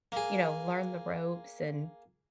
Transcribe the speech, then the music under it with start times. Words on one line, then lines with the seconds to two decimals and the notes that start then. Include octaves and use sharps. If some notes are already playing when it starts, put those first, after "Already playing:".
you know, learn the ropes and
0.12 A#3 G#4